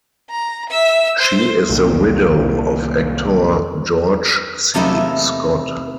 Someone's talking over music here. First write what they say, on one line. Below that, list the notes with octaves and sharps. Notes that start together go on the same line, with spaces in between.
She is the widow of actor George C. Scott.
A#5
E5 E6
C5
C2 A#2 D#3
E2 C3 A3 A#3 D#4 E4